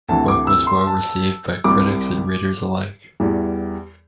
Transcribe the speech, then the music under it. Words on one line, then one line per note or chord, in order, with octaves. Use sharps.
The book was well received by critics and readers alike.
D2 C3 E3 A5
D6
E6
C6
A5
C2 C3 G3 D6
E2 E3 G3